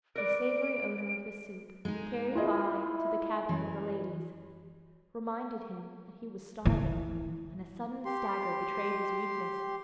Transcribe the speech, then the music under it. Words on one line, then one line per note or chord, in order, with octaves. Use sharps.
The savoury odour of the soup, carried by to the cabin for the ladies, reminded him that he was starving, and a sudden stagger betrayed his weakness.
A#4 B4 D5 D7
G#3 D#4
E4 F4 G#4 D#5
F#2 E3
E3
G4 C6